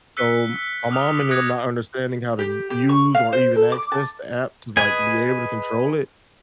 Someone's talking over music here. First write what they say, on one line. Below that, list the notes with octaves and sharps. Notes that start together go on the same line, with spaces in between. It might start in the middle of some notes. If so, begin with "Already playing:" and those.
So my mom ended up not understanding how to u use or even access the app to like be able to control it
E6 F#6 B6 C#7 G7
E6
D6 D#6 F6 F7
D6 D#6 F#6 G#6 A#6 C#7
G4
G4
C#6
F5
C5
A4
D6
A5
G#4 B4 D#5 G#5